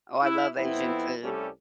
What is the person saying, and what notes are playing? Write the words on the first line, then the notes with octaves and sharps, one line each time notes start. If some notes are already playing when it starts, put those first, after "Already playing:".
Oh, I love Asian food.
E4
F2 B3 C4 E4
C2 G3 A3 C#4 G4 A4